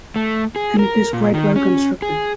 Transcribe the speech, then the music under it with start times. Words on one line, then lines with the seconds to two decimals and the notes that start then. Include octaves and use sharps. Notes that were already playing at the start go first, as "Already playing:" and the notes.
And it is quite well constructed.
0.16 A3
0.56 G#4
0.79 A#4
1.13 A#2
1.34 D#3
1.56 C#4
2.02 G#4